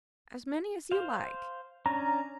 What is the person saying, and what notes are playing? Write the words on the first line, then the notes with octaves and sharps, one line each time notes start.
"As many as you like."
C5 F5
C#4 D4 A#5